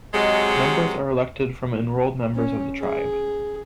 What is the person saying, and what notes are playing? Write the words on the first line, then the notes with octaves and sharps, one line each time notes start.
Members are elected from enrolled members of the tribe.
C3 F#3 G#3
C#4
G#4